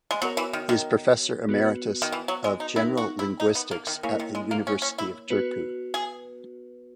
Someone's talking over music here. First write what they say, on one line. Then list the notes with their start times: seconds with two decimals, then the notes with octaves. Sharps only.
He is professor emeritus of general linguistics at the University of Turku.
0.11 G#3
0.22 F#3 B3 F#4 A#4 C#5
0.37 E3
0.53 D#3
0.69 D#3
1.49 B3 F#4 B4
2.02 D#3
2.12 E3
2.28 F#3
2.44 G#3
2.60 D#4
2.76 B3 D#4 E4 A#4
2.97 F#4
3.19 E4
3.40 D#4
3.55 B3
3.71 A#3
3.87 D#3
4.03 C#3 A#3 E4 A#4 C#5
4.20 D#3
4.35 G#3
4.51 A#3
4.67 C#4
4.82 C#4
4.98 E4
5.30 B3 F#4 B4
5.94 G#4